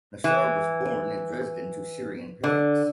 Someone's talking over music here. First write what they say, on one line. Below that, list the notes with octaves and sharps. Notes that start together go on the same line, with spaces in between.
Nasr was born in Dresden to Syrian parents.
E3
D3